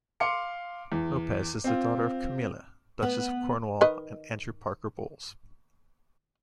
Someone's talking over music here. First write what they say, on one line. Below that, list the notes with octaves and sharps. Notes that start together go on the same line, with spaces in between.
Lopes is the daughter of Camilla, Duchess of Cornwall, and Andrew Parker Bowles.
F5 C6 D6 C#7
E2
C4 F4
B3
D#3 B4 D#5